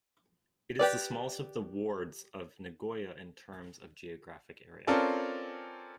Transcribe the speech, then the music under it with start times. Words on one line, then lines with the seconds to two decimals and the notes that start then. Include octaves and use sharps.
It is the smallest of the wards of Nagoya in terms of geographic area.
0.79 G4 B4 D5
4.87 C4 C#4 F4 A4 A#4 D5